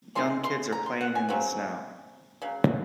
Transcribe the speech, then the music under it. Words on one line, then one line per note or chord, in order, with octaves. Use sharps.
Young kids are playing in the snow.
D#3 G#3 C#4 C6
C6
A#5
C6
F#5
G#5
C#3 F#3 C4
C#3 F#3